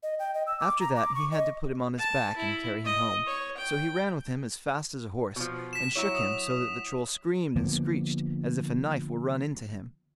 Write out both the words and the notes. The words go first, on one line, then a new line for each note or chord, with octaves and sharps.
After that he had to put him on his back and carry him home; so he ran with him as fast as a horse, and shook him so that the Troll screamed and screeched as if a knife were run into him.
D#5
G5
D#5
E6
D6
A#5
D6
C#6
D#5
A5
E4
D#5
C#5
G5
B2 F3
B6 E7
F#3 E4 C#5
D#6
D3 F3 A#3 B3